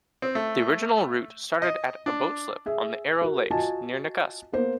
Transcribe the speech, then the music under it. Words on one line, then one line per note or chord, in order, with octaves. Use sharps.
The original route started at a boat slip on the Arrow Lakes near Nakusp.
C4
A3
D#5
D4
G#4 E5
F#4 A#4
F4 F#4 D#5 G#5 A5
A#3 B3 A#4 C5